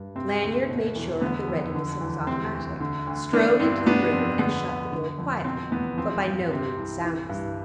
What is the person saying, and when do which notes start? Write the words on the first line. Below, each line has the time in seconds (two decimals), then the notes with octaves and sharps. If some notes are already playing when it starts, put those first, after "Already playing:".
Lanyard made sure of the readiness of his automatic, strode into the room, and shut the door quietly but by no means soundlessly.
Already playing: G2
0.15 C3 C4
0.42 D2
0.69 B2
0.96 E2
1.21 D3 B3
1.48 F2
1.75 D3
2.01 E2
2.27 C3 C4
2.54 D2
2.80 D3
3.07 D2
3.33 E3 B3 D4
3.60 G2 C4 E4
3.86 C3 B3 D4
4.12 F2 C4
4.39 D3 B3
4.66 D2
4.92 D3
5.18 F2
5.44 B2 C4
5.71 E2 B3
5.97 F3 C4
6.24 G2
6.50 C3 C4
6.77 C2
7.04 E3
7.29 G2